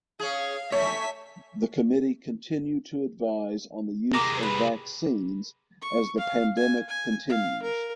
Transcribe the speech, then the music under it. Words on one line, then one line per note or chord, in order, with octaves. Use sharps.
The Committee continued to advise on the use of vaccines as the pandemic continues.
C#4 G#4 F5
A3 C#5 E5 G#5 B6
C3 G#3 A#4 D6
B4
C#6
F5
G#5
G#5
F5
A#4